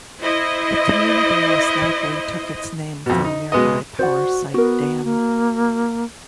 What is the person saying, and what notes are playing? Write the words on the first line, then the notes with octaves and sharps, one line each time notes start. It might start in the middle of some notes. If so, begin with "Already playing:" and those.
The community most likely took its name from nearby Powersite Dam.
E4 C5 D#5
F2 B2
D#4
B2 G#3 B3 D#5
F#4 C5 D5 F#5
B3 F#4 A#4
A#3